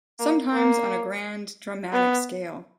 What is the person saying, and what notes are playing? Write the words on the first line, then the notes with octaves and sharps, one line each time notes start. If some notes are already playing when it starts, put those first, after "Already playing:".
Sometimes on a grand, dramatic scale.
A#3
A#3
B3